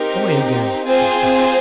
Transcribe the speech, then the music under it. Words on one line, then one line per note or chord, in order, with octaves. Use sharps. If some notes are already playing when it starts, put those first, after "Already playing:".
"Boy again!" said Dick.
Already playing: C4 D#4 G4 A#4
C4 F4 G#4 C5